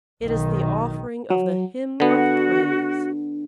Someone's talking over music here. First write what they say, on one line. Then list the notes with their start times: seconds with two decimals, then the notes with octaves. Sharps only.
It is the offering of the Hymn of Praise!
0.24 B1 D#3
1.30 F#3
2.00 D3 B3 D4 F#4